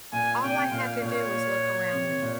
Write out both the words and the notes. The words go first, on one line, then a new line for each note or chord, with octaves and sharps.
All I had to do was look around me.
A#2 G#5
C3 G5
A#2 F5
A#2 C#5
C3
A#2